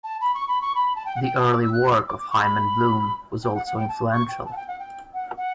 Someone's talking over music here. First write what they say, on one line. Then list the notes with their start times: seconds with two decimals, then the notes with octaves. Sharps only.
The early work of Hyman Bloom was also influential.
0.04 A5
0.21 B5
0.34 C#6
0.48 B5
0.61 C#6
0.75 B5
0.96 A5
1.06 G5
1.15 F#5
1.23 G5
1.39 A5
1.51 D6
1.62 E6
1.73 F#6
1.90 E6
2.07 D6
2.19 D6
2.30 C#6
2.42 B5
3.44 G5
3.55 F#5
3.66 F#5
3.77 G5
3.88 A5
4.12 C#6
4.29 G5
4.45 A5
4.52 F#5
4.56 G5
4.68 F#5
4.79 G5
5.14 F#5
5.37 F#5